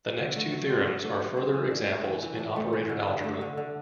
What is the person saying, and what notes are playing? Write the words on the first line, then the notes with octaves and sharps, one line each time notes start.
The next two theorems are further examples in operator algebra.
D3
A3
F#3
C4
D3
A3
F#3
C4
E3
D4
A3
E3
E3
D4
A3
E3
D3
D4
A3
D3
D3